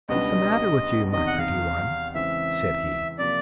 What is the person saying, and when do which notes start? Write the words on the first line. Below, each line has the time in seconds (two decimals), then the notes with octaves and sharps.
"What's the matter with you, my pretty one?" said he.
0.09 C#2 B2 G3 B3 D4 D#5
1.12 E2 C3 D#3 D#5
1.27 F#5
1.38 F5
2.15 C#3 E3 G#3 C4 E5
3.18 C3 F3 A#3 D5